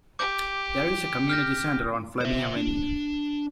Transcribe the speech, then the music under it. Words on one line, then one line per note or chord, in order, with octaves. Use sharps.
There is a Community Centre on Fleming Avenue.
G4 D6 G6
F6 G6 A#6
C5 E5
D4